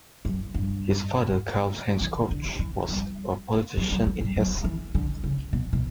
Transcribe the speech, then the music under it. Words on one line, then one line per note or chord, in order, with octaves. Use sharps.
His father Karl-Heinz Koch was a politician in Hessen.
F#2
G2
E3
D3
E3
G3
F#3
F#3
E3
G3
F#3
E3
D3
C#3
B2
B2